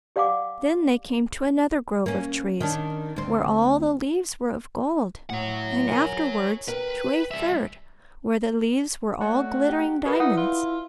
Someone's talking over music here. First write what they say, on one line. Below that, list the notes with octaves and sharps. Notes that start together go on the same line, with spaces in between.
Then they came to another grove of trees, where all the leaves were of gold; and afterwards to a third, where the leaves were all glittering diamonds.
G4 D5 F5 F#5 G#5 D6
A#3 C#4
D#3 C#4 D4
D2 C4
A2 C#5 F#5
A#4 G#5
A#4 B4 G5
G3 E5
A3 F#4 C#5 D5
G4
B2 G#4 A#4 B4 B5
D#4 E4 B4 D5 F#5
F4